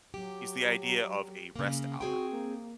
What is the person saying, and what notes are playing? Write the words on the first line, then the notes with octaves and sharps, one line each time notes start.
is the idea of a rest hour.
F#3 G4
C#3 A#3
C4 F#4 G#4 G5
A#3